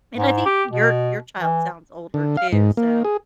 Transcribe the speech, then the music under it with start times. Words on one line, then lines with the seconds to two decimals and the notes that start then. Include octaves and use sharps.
and I think your your child sounds older too, so
0.17 G#2
0.46 G4
0.71 B2
1.40 E3
2.14 D3
2.37 F5
2.52 G#2
2.77 A#3
3.05 G#4